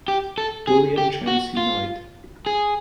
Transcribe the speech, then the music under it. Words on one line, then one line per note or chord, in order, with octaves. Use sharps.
William Chancey Knight.
G4
A4
G#4
G4
F#4
F4
G#4